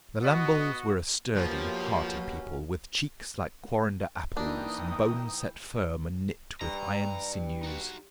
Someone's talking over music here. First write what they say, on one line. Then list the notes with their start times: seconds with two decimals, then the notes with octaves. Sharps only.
The Lamboles were a sturdy, hearty people, with cheeks like quarrender apples, and bones set firm and knit with iron sinews.
0.23 B3 F#4 D#5
1.36 F#2 B2 F3 F#3 A#3 C#4 G4
4.37 E3 A#3 D4 D#4 G5 A#5 D#6
6.61 G2 A#5
7.63 D#4 F#4